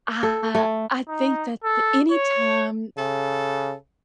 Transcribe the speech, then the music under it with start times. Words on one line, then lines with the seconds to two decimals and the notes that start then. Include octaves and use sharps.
I I think that the anytime
0.23 A4
0.55 A3
1.08 D#4
1.64 A4
2.12 C#5
2.98 C#3 A4